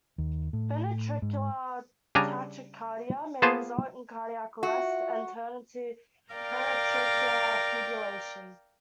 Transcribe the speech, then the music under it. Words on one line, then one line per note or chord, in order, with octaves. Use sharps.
Ventricular tachycardia may result in cardiac arrest and turn into ventricular fibrillation.
D#2
A2
G#2
C#3 G3 D4 G#5 A#5
A#3 B3 F4 G#4 C5 A5
F4 F#4 E5
A#4 D5 F5 G5 A#5